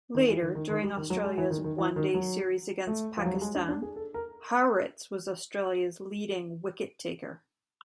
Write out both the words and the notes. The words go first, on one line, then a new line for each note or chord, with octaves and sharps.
Later during Australia's one-day series against Pakistan, Hauritz was Australia's leading wicket-taker.
D#3
E3
D#3
D#3
D#3
G3
D#3
F#3
G#3
E3
D#3
D#3
E3
D#3
F#3
A3
F3
F#3
G3
G#3
D4
D4
G#4
A4
A#4